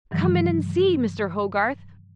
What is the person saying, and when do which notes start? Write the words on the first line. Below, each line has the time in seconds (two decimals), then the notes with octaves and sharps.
Come in and see Mr. Hogarth.
0.11 G2 C3 D#3 E3 F#3 G#3